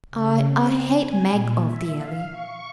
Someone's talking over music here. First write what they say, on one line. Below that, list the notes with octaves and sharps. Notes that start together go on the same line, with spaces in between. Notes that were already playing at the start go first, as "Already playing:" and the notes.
I--I hate Mag of the Alley.
C#3
C4
G#5
A#2
E5
F5
C#6